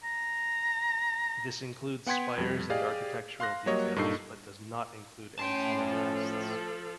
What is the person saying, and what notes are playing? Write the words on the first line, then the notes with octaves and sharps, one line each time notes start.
This includes spires and architectural details but does not include antenna masts.
A#5
B3 F#5 G5 C6 G#6 B6
F2 G3
G4 G#4 D5 D#5 F5
F5 C6 F#6 A#6
F#3 G3 A#3 C#5 D#5
G2 A#2 D#4 A4 C#6 C7
A2 C#4 G5 A5 C6
F3 A4